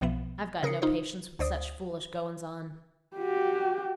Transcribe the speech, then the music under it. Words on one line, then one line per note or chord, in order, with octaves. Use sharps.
"I've got no patience with such foolish goin's-on."
B1 B2 F3 B3 E5
C#3 A#4 D#6 C7 C#7
D#4 F4 C5
D2 C5 D5 D#6
F#4 G4